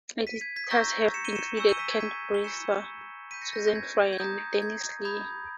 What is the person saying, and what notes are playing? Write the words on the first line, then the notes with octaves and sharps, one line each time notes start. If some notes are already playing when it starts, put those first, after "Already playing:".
Editors have included Kent Brewster, Susan Fry, and Denise Lee.
B6 D#7
G#6 B6
G#6 B6
A#5 C#6 E6 G6 A#6
C#7 E7
D#7 G7
C#7 E7
G#5 C#6 E6 G6 C#7 E7
D#7 G7
B6 D#7
G#6
B6 D#7
G7
G#5 B5 E6 G6 C#7 E7
B5 G6 B6 D#7
A#6 C#7
G6 A#6
G6 A#6
G#6
G#6
A#5 D#6 G6
G#6
B5 D#6 G6 G#6